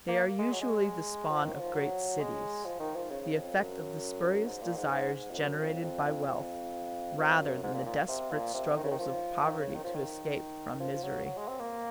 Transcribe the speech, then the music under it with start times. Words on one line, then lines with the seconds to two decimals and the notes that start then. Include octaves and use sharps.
They are usually the spawn of great cities--the effect of the spurious desires generated by wealth, rather than the desperate struggles of poverty to escape from misery.
0.08 A#3
0.39 G#3
0.52 F#3
0.62 G#3
1.30 F3
1.45 D#3
1.54 F#3
1.60 F3
1.75 F#3
2.20 G#3
2.65 F3
2.80 D#3
2.95 F3
3.11 C#3
3.33 F2
3.56 F#2
4.46 G#2
4.61 A#2
4.76 G#2
4.91 G#2
5.14 G#2
5.31 F2
5.37 F#2
5.59 F2
5.82 F2
6.05 F2
6.27 F2
7.18 F2
7.40 F#2
7.63 G#2
7.74 A#2
7.86 A#2
8.08 C3
8.31 A#2
8.54 C3
8.76 D#3
8.84 C#3
8.91 D#3
8.99 F3
9.44 D#3
9.59 C#3
9.75 D#3
9.84 F3
9.95 D#3
10.80 F3
10.94 F3
11.03 F#3
11.26 F#3
11.37 G#3
11.48 C4
11.60 A#3